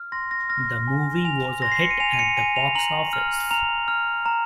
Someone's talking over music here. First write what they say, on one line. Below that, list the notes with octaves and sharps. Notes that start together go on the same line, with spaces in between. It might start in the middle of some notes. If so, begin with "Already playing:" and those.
The movie was a hit at the box office.
Already playing: F6
C6 A#6
A#6
F6 A#6
G#5
G#5 F7
C6 A#6
C7
C#7
D#7
G#5 F7
D#7
C#7
G#5 D#7
F7
A#5 F#7
F6
A#5 F7
F6
A#5